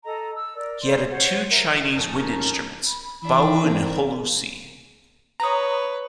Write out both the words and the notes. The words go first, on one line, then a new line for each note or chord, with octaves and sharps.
He added two chinese wind instruments : Bawu and Hulusi.
A4 D#5 A#5
E6
A#4 D5
C5 D5 C6
C5 C#5 F#5
A#4 E5
F2 C#4 D#4 A#4 A5
B5
E3 D4 E5
C4 A#4
B4 C#5 A#5 D#6